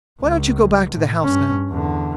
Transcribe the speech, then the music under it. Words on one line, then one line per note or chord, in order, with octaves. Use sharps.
"Why don't you go back to the house now!"
C#2
A2
G2 C#4
E2 D3